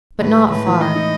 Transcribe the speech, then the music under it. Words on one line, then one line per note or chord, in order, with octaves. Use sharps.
But not far.
A2 B4
G#3
A2 B4
E3
E3 D#5
D#4